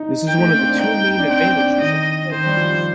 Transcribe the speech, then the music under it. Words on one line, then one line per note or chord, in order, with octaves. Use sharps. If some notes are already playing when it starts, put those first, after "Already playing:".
This is one of the two main advantages of callbacks.
Already playing: D#4
G5
A3
A#3
C4
D4
D#4 G5
D4
C4 G5
D4
D4
D4
D#3 D#5
D#3 C5
G3
F3